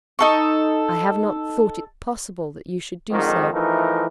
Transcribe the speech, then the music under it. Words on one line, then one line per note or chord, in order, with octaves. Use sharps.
I have not thought it possible that you should do so.
D#4 A4 C#6
F2 G#2 D3 D#3
E3 F3 A3 D#4 A#4